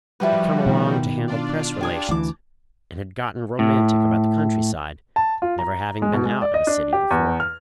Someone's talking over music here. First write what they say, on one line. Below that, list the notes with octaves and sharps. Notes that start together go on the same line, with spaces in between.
He'd come along to handle press relations and had gotten romantic about the countryside, never having been out of a city before.
F3 G3 E4 F#4 G4 B4
B2 D#3
D4 F4 D5
G4 G#5 D#6
D2 E3 A5 D6
A2
A5
F4
A#5
G#3
B2
G#3
D5
D#5
D4
G4
E2
F6